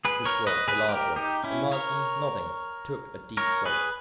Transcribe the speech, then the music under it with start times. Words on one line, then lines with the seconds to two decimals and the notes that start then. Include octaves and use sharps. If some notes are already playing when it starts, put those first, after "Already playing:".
It was brought, a large one; and Marsden, nodding, took a deep gulp.
0.05 G#4 B4
0.25 A#4 C#5
0.47 B4 D#5
0.68 G#4 B4
0.89 G4 A#4
1.16 D#4 G4
1.44 C#4 E4
1.72 A#4 C#5
3.37 A#4 C#5
3.65 G#4 B4